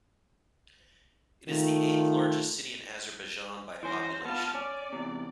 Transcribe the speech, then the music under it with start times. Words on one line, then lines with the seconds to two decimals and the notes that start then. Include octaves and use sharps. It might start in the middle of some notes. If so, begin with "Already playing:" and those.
It is the eighth largest city in Azerbaijan by population.
1.49 D#3 A3 F4
3.83 E3 C#4 C5 A#6
4.25 B3 F4 A5 F6
4.55 C#4 D5
4.93 E2 C3